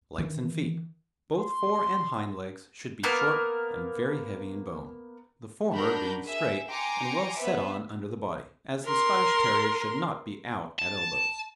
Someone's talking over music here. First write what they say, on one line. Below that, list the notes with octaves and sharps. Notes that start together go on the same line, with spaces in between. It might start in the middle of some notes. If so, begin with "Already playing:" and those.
LEGS AND FEET--Both fore and hind legs should be short and very heavy in bone, the former being straight and well set on under the body, as the Scottish Terrier should not be out at elbows.
D#3 E3
C6
A#3 B3 A#4
D4 F#4 A#4 B5 G6
G#4 E5
G5 G#5 A#5 C6 D6 C#7
B3 B4 C5 E5
A#4 C6
A5